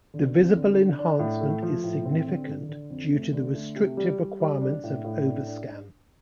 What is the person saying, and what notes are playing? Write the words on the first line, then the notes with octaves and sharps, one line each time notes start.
The visible enhancement is significant due to the restrictive requirements of overscan.
D3
F2
D3
D4
D4
A2
A3
F3
A2
C4
D3
D3
D3
F2
A3
D3
A3
C3
G3
G3
G3
D4
A2
A2
D4
D4